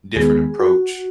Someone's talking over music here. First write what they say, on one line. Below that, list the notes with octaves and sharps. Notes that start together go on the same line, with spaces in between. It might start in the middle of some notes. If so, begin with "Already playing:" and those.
different approach
D#2 D#3 G#3 B3 G#4
F#4